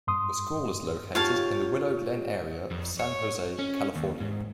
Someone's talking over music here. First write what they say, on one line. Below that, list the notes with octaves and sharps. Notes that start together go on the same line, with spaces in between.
The school is located in the Willow Glen area of San Jose, California.
G2 C6 D#6
F4 G4 C#5 F5 A5
F2
C#5
C#4
D#2
G#2